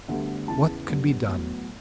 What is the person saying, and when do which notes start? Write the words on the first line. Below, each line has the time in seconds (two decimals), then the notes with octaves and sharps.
What could be done?
0.08 D2 D3 G3 B3
0.48 E2 C#3 E3 B3 A5
0.87 F#2 D3 G3 B3
1.27 A2 F#3 B3